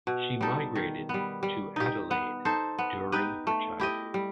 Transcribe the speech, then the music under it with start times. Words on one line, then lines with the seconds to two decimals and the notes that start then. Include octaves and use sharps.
She migrated to Adelaide during her childhood.
0.07 B2
0.41 G3 D#4 A4
0.75 D#3
1.09 G3 B3
1.43 G3
1.76 D#4 G4
2.11 B3
2.45 D#4 A4 C5
2.78 B3
3.12 D#4 G4 B4
3.47 A3
3.80 E4 G4 D#5
4.14 G3